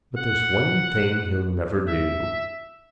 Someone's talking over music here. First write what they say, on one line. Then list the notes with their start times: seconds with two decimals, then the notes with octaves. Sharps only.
But there's one thing he'll never do.
0.17 F#5
1.88 E5